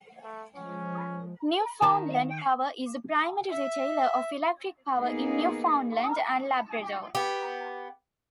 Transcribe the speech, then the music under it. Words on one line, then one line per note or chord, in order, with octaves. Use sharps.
Newfoundland Power is the primary retailer of electric power in Newfoundland and Labrador.
A3
F3 G#3 C#4
D#3 A5
E5
A#3 B3 D#4 G#4
B3 G4